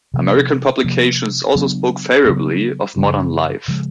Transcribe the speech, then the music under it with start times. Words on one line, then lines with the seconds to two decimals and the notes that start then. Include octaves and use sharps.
American publications also spoke favourably of "Modern Life".
0.14 C3 F3 A#3
0.84 C3 F3 A#3
1.55 C#3 F#3 B3 D4
2.25 C#3 F#3 B3 D4
2.96 F#2 C#3 F3 G#3
3.68 C#3 F3 G#3